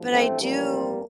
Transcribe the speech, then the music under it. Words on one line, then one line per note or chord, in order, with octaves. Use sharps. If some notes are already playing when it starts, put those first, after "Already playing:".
but I do
Already playing: A1 G2 F3
A3 C4
G3 A#3